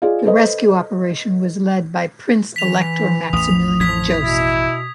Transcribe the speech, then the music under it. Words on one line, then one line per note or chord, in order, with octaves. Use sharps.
The rescue operation was led by Prince-Elector Maximilian Joseph.
F4 G#4 D5 D#5 F5
A4 B4 C5 D#5
E3 B6 F7
A1 E2 D#6 F7
A1 F2 A2 F3 G#6 B6
B2 E4